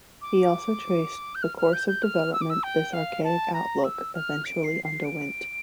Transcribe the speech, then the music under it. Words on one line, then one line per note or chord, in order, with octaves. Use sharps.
He also traced "the course of development this archaic outlook eventually underwent".
D6
G6
F6
F6
G6
G6
F6
E6
D6
E6
G5
F5
A5
A#5
E6
F6
D7
C7
C7
D7